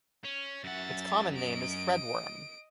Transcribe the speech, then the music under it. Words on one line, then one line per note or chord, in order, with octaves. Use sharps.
Its common name is threadworm.
C#4
F#2 E5 F#5 A6
D#5 D7